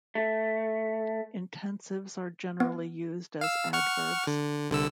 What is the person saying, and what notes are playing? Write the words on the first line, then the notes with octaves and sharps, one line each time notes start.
Intensives are generally used as adverbs.
A3
B3
F5 E6
F#5 C#6 F6
D3
C2 D3 E6